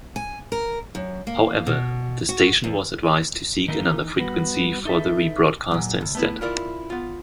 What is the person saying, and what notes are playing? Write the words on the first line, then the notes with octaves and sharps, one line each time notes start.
However, the station was advised to seek another frequency for the rebroadcaster instead.
G#5
A#4
F#2
A#3
B2
F#4
E2
D#3 E3 A#3 D#4
G3 B3 F#4
D#4 A4 B4 E5
A#2 F#3
C#2
A3 B3 E4
E4 F4 A#4 D5
B3 F4